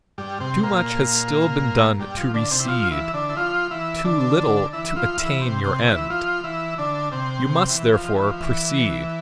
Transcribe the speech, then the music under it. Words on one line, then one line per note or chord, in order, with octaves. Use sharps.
Too much has still been done to recede, too little to attain your end; you must therefore proceed.
G2 G3
C3 C4
A#2 A#3
G2 G3
F3
D3 D4
C3 C4
E4
F3 F4
E3 E4
D3 D4
E4
F3 F4
E3 E4
D3 D4
E3 E4
F3 F4
E3 E4
C3 C4
C3 C4
E3 E4
F3 F4
E3 E4
D3 D4
C3 C4
C3 C4
E3
F3
E3
F3
E3